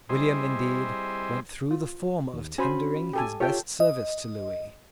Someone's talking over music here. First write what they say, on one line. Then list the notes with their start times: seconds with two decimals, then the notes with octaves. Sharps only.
William, indeed, went through the form of tendering his best services to Lewis.
0.09 G3 C4 E4 G#4 C5 D#5
1.71 F4
2.34 D#2
2.58 C#4 F#4 C5 G#5 B5
3.13 G4 A4 G#5
3.40 F4 G4 A4 C#5 G5
3.80 D#5